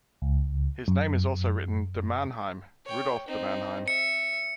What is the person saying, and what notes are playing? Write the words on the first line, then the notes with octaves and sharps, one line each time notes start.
His name is also written de Mannheim - Rudolph de Mannheim.
C#2
F#2
C#5 G5
C4 D#4
E5 C#7